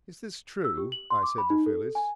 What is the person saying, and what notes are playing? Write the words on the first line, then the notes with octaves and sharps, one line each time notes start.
"Is this true?" I said to Phyllis.
E6
G4
F#7
C6
D6
B5
D#4
A4
G#5